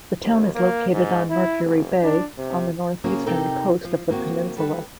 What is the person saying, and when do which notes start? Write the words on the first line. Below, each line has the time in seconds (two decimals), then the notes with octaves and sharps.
The town is located on Mercury Bay, on the northeastern coast of the peninsula.
0.23 D#2
0.55 A#3
0.92 G#2
1.30 E4
1.63 F1
2.03 D4
2.37 C3
3.04 C#3 A#3 C#4 F#4 G#4
3.26 C3 D#4 A4 A#4 G5
3.85 F3
4.09 D#3 A#3 C4 F#4
4.57 G3 A4 B4